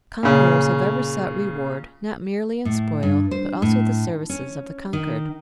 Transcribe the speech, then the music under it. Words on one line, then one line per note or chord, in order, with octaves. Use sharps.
Conquerors have ever sought reward not merely in spoil, but also the services of the conquered.
A#2 C#3
A2
G2
C5
A2
C#4
D#3